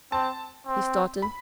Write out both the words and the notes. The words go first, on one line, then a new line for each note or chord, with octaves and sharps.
He started.
C4 A5
C4
B5